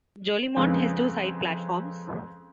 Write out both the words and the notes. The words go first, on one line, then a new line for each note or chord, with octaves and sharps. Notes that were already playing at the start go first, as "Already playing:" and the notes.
Jolimont has two side platforms.
F2 C#3 G#3 C4 B4